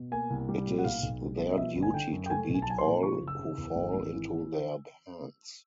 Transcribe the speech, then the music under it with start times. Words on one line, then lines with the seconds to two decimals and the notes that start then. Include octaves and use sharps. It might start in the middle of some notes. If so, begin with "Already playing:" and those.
It is their duty to beat all who fall into their hands.
Already playing: B2
0.11 A#3 G#5
0.30 C2
0.49 G3
0.66 A#2
0.78 F#5
0.84 B1 F5
1.03 B1
1.21 G3
1.39 B2
1.50 D#5
1.57 F3 E5
1.75 G1
1.83 G#5
1.94 D3 G5
2.12 F#2
2.26 G5
2.30 A3 G#5
2.49 B1
2.54 G#5
2.62 A5
2.67 F#3 G#5
2.78 C6
2.85 A#2
3.03 F3 C#6
3.21 F#1
3.28 E6
3.39 C#3
3.58 E2
3.76 G#1
3.94 G#1
4.13 E3